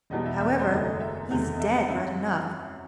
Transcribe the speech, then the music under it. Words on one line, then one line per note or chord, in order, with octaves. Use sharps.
However, he's dead right enough.
E1 E2 B2 G3 D#5
E5
E5
C5
F#1 F#2 D#3 A3 D#5
D#5
E5
E2 C3 D#3 A3 C4
D#5
E5
F#5
F#2 F#3 C4 E5